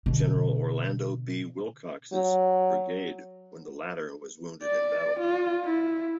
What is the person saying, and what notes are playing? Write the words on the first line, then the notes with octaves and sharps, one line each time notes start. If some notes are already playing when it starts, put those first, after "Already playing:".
General Orlando B. Willcox's brigade when the latter was wounded in battle.
B2 D3
F#3
D5
F4
E4